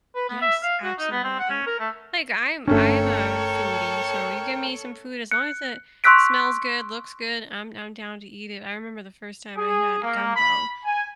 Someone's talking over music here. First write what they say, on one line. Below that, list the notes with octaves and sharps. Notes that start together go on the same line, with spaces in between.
Yes, absolutely. Like I'm I'm a foodie, so you give me some food, as long as it smells good, looks good, I'm I'm down to eat it. I remember the first time I had gumbo,
B4
B3
E5
F5
F#4
D#4
B3
C4
F#5
C#4
A#4
A3
G1 A3 C#4 D4 A4 A#4 C#5 G5
F#6 C#7
C6 C#6 E6 F#6 B6 D7
G#4
A#3
B5
G#5